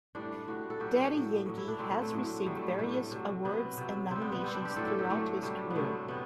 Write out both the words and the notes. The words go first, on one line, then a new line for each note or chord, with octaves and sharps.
Daddy Yankee has received various awards and nominations throughout his career.
A2 G3 D4
A2 G3 F#4
A4
A2 F#3 G4
A2 F#3
A2 F#3
E4
D4
A2 F#3 C4
C4
A3
A2 F#3
A2 F#3 G3
A3
G3
C3 F#3 A3
C3 F#3
C3 F#3 B3
C3 F#3
C3 G3 C4
B3
B3
C3 G3 C4
D4
G4
A2 F#3 A4
A4
G4
A2 F#3 A3
C3 F#3 G3
B3
C3 F#3 A3
C3 G3 B3